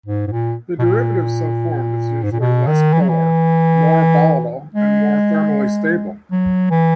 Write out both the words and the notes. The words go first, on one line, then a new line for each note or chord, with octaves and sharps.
The derivative so formed is usually less polar, more volatile and more thermally stable.
G#2
G#2
A#2
B2
A#2
G#2
A#2
B2
D#3
E3
F#3
E3
G#3
F#3
E3